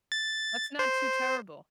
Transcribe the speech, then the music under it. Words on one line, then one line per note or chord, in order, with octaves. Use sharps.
That's not too terrible.
A6
C5